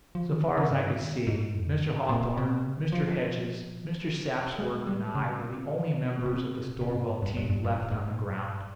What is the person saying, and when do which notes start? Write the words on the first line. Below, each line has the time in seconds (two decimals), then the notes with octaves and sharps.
So far as I could see, Mr. Hawthorn, Mr. Hedges, Mr. Sapsworth, and I were the only members of the Storwell team left on the ground.
0.15 F3
0.29 D#3
0.43 C#3
0.57 C#3
0.71 G#2
0.84 G2
0.98 D#3
1.13 C#3
1.27 G#2
1.55 F2
1.81 G#2
2.09 A#2
2.37 C3
2.65 C#3
2.92 F3
4.59 G#3
4.87 G3
5.15 C#3
6.26 C3
6.81 C3
6.94 G#2
7.08 G2
7.22 G2
7.37 G2
7.50 G2
7.64 G2
7.92 G#2
8.10 A#2
8.29 G2